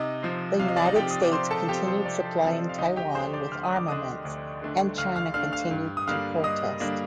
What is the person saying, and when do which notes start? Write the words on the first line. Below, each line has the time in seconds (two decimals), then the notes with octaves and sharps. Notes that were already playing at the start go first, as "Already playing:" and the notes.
The United States continued supplying Taiwan with armaments and China continued to protest.
Already playing: C3 D#4 D#5
0.23 F3 C4
0.59 C3 F5
0.68 D#5
0.77 D5
0.85 D#4 D#5
0.96 F3 C4 G4 G5
1.11 D#6
1.22 D6
1.32 C3 C5 C6
1.51 A4 A5
1.68 F3 C4 G4 G5
1.87 C5
2.05 C3 D5
2.42 F3 C4
2.69 F5
2.78 D2 D#4 D#5
2.96 G4 G5
3.15 D3 A3 D4 C5 C6
3.33 D5 D6
3.51 D2 F6
3.64 D#6
3.76 D6
3.88 D3 A3 D4 D#5 D#6
4.25 D2
4.62 D3 A3 D4
4.98 D2 F5 F6
5.16 F5 F6
5.34 D3 A3 D4 F5 F6
5.53 F5 F6
5.71 G2
5.97 D#6
6.07 D3 G3 A#3 D4 F5 F6
6.44 G2 D#5 D#6
6.80 D3 G3 A#3 D4